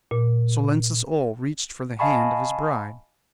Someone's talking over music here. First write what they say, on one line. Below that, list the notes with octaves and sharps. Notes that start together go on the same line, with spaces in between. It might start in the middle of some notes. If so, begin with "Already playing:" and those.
Salensus Oll reached for the hand of his bride.
A#2
D#5 F5 G#5 A5 B5 C#6